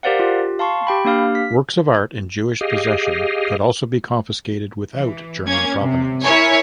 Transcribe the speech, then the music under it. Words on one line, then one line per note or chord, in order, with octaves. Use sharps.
Works of art in Jewish possession could also be confiscated without German provenance.
G4 A#4 C5 D5 F5 F#5
F4 G4
F5 A5 C6 C#6
G4 G5 B5
A#3 D4 G4 F5 F6
B6
G4 G#4 D#5 F5
E3
A#3 C#4 G#6
C3
E4 A#4 C#5 G#5